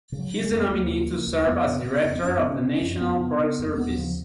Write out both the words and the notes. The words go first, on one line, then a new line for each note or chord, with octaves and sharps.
He is the nominee to serve as director of the National Park Service.
C#3
F#3
C#3
G#3
F2
B3
D#2 A#3
C#3
C#3
D#2
A#3
F2 B3
C#3
C#3
F2
B3
F#2 C#4
C#3 B3
C#4
C#3
C#4
F#2
F2 B3
C#3
C#3
F2
A#3
D#2 B3
F#3
C#3 F3